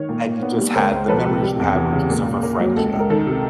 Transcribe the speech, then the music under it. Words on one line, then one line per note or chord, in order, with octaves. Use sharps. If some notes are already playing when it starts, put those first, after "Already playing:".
and you just had the memories you have were just of a friendship.
Already playing: D#3 C#5
A#2
A#2
B3
G3
C#2 A#4 C5
C#2
F3 A4 B4
C3
G3
E2
E3
C#3
A#2
A#2
A#3
F#3
C#2 A4
C#2
A#4
D#3 A4
C3